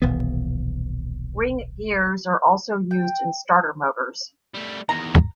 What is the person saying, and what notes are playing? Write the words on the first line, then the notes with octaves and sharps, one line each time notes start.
Ring gears are also used in starter motors.
D#1 B1 E3 B3
G5
G3 A3
E2 D#3 A#5